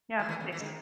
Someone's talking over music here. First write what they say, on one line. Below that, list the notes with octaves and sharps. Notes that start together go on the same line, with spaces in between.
yeah, but this.
F#3
G#3
E3 A#3
B3
C#3
A#3
E3
C#3 G#3
D#3